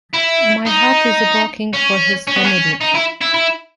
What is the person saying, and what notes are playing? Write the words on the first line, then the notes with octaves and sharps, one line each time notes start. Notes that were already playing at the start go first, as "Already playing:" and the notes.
My heart is broken for his family.
E4
D#4
C#4
C#4
B3
C#4
D#4
E4
E4
E4